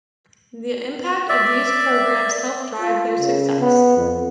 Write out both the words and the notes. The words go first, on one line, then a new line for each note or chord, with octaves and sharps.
The impact of these programs help drive their success.
D5 E5
F4
C#3
B3
F2